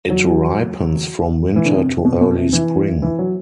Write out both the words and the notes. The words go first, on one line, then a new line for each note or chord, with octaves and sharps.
It ripens from winter to early spring.
F#3
E3
D3
C3
B2
B2
C3
E3
E3
F#3